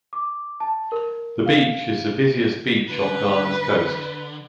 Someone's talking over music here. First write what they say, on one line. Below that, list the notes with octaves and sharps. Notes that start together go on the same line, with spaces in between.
The beach is the busiest beach on Ghana's coast.
D6
A5
A#4
F5
D3 B4